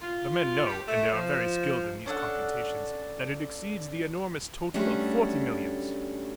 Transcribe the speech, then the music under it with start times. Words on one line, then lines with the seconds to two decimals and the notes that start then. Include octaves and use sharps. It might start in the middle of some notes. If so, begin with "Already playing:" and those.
The men know--and they are very skilled in these computations--that it exceeds the enormous total of forty millions.
0.01 F4
0.66 G4
0.86 A3
1.12 F3
2.06 C#4 D4 A4 F#5
4.74 G3 A3 C#4 D4 F#4